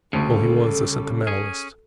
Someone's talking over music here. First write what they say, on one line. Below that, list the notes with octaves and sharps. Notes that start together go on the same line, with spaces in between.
Well, he was a sentimentalist.
D2 C#3 G3 A4
C#4 G#4